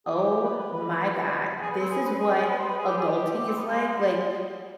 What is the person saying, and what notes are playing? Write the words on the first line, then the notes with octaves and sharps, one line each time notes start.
"Oh, my God, this is what adulting is like." Like,
G#4
G4
B4
B4
B4
G#4
B4
C4
G#4
B4
G#4
G#4
B4
C5
B4
G#4
G4
G#4
G4
C4
B3
G#3
G#3
G3
G#3